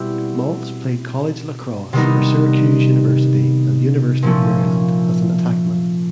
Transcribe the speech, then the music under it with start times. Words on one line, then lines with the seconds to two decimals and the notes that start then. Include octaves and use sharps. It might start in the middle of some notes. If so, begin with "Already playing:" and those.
Maltz played college lacrosse for Syracuse University and University of Maryland as an attackman.
Already playing: B2 G3 C4 E4 G4
1.93 C3 D#3 G3 B3 D#4
4.22 A#2 F3 A3 C#4